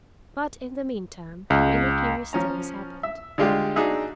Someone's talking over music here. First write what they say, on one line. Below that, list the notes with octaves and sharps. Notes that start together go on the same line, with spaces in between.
But in the meantime, many curious things happened.
C#2
F3 C#4 A#5
E5
D3 G3 G#3 F4 G4
D4 D#4 F#4 G#4 E5